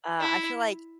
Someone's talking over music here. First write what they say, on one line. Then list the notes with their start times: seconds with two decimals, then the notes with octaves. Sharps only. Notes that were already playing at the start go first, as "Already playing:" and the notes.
uh, I feel like,
0.20 E4